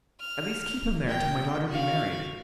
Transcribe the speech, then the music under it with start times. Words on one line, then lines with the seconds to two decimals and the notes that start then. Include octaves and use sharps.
"At least keep him there till my daughter be married."
0.20 F6
1.08 G5
1.68 F#4 F5